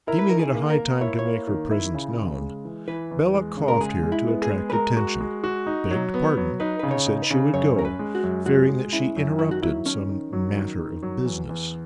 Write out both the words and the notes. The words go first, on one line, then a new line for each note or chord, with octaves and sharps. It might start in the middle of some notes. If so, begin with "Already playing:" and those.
Deeming it high time to make her presence known, Bella coughed here to attract attention, begged pardon, and said she would go, fearing that she interrupted some matter of business.
E4 A#4
B4
D#3 A#4
G#4
A#3
A#4
A#3
E4 C#5
C#5
A#3
D#3
E4
C#3
C#3
G#3
E3
E3 B4
E2
G#3
C#3
A#4
G#3 G#4
G#3
E4
B3
G#4
G#3
B4
G#3 A#4
F#4
G#3
F#4
D#4
F#3
B3
F#3
D#4 B4
C#3 B4
C#5
D#4
B4
C#3
F#2 C#5
C#4 A#4
B4
G#3
F#4
F#2
G#3 F#4
G#3
C#4 E4
F#2
D#3 E4
F#4
F#3 E4
D#3 C#4
D#3
F#3
D#3
D#3
F#3
E2
E2